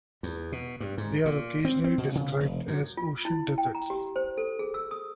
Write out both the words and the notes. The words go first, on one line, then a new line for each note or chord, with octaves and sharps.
They are occasionally described as "ocean deserts".
E2
B2
G2
G#2
A#2
C4
C4
B2
C#3
F1
F#2
F4
E4
G5
A#5
G4
C5
A4
G#4
E6
D#6